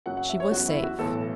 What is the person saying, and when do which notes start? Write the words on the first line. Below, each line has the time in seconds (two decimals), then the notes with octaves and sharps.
She was safe.
0.06 F#1 F#2 C#3 F#3 F#5
0.17 F#5
0.29 E5
0.40 C#5
0.52 E2 C#3 F#3 F#4
0.68 E4
0.83 F#4
0.98 B1 A2 E3 A4